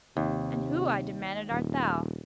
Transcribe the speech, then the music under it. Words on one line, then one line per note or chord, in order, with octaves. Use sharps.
"And who," I demanded, "art thou?"
D#2 C3
D#1